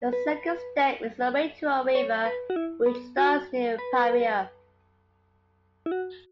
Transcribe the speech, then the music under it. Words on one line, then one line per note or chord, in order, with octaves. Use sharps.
The second stem is the Waitoa River, which starts near Piarere.
B4
C#5
B4
F#4
E4
B3
F#4
B4
E4
F#4